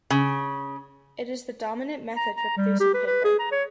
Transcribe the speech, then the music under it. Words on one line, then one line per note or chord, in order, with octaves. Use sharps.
It is the dominant method for producing paper.
C#3
A#5
A#5
G3
G4
B4
B4
G#4
A#5
C#5